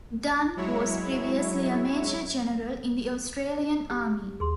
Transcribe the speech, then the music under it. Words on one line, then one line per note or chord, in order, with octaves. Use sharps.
Dunn was previously a major general in the Australian Army.
F#3 G#3 E4 C#5
G4
D#2 G#4 C6